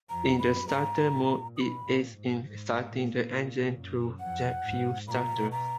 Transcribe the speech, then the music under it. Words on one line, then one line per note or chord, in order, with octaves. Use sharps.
In the starter mode, it aids in starting the engine through jet fuel starter.
F2 A#5
F#2 B5
G#2 A#5
A#2
B2 B5 D#6
A#2
G#2
G#2
A#2
A#2
F#2
F2 F#5
G#2
A#2 A#5 B5
B2
A#5